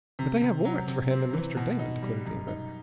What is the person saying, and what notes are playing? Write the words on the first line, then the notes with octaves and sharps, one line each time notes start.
"But they have warrants for him and Mr. Damon," declared the inventor.
C3
C3
F#3
C3
C4
E3
B2
D#4
G3
F#2
D#4